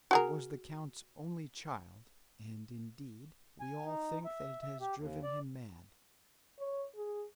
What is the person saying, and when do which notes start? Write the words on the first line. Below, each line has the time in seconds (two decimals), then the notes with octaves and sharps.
It was the count's only child, and indeed we all think that it has driven him mad.
0.11 F#4 G#4 A#4
3.61 G#5
3.86 D#4
4.25 E5
4.62 E5
4.81 G4
4.98 D#2
5.24 D5
6.59 C#5
6.95 G#4